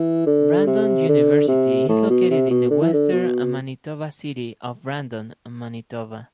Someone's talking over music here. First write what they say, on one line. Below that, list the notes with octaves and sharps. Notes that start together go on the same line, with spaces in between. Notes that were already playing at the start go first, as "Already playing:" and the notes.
Brandon University is located in the Western-Manitoba city of Brandon, Manitoba.
Already playing: E3
D3
C3
D3
C3
A2
B2
C3
B2
D3
E3
D3
B2